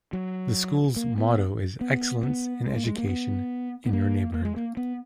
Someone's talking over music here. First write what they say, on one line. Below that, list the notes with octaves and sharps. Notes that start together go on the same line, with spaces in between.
The school's motto is "Excellence in Education, in your Neighborhood".
F#3
A#3
B3
B3
B3
G#3
A#3
G#3
A#3
B3
B3
A#3
A#3
G#3
A#3
B3